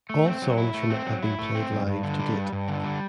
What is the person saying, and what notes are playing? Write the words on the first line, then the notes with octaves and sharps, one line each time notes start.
All songs from it have been played live to date.
A3
C4
F#3
E4
A3
C4
F#3
E4
A3
C4
G2
G2
D3
G3
G2
G2
D3
G3